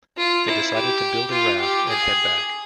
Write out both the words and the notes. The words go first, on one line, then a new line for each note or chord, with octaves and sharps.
They decided to build a raft and head back.
F4
E4
G4
F4
G4
G#4